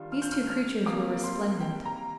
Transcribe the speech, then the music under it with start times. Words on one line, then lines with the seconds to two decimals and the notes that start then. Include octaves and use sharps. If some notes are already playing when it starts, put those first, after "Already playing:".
These two creatures were resplendent.
Already playing: D#3 G3 D4 F4
0.12 F6
0.22 G6
0.32 F6
0.50 F6
0.86 C3 G3 A#3 D6
1.23 C6
1.60 G5
1.85 A#5